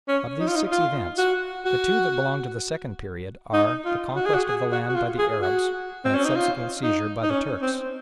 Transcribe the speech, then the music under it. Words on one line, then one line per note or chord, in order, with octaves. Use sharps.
Of these six events the two that belong to the second period are, the conquest of the land by the Arabs and its subsequent seizure by the Turks.
C#4
D#4
F4
D#4
F4
F#4
F#4
D#4
F4
F#4
G#4
F#4
G#4
F#4
F#4
F4
G#4
F#4
C4
C#4
D#4
F4
D#4
D#4
C#4
C4